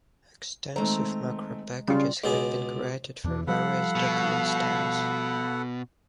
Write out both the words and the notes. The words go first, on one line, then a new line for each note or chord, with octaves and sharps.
Extensive macro packages have been created for various document styles.
D#3 G#3 A3 C4 A#5
C#3 G3 F4
C#2 B2 G#4
E2 E3 D4
F3 G3 A4 F5 F#5 B5
B2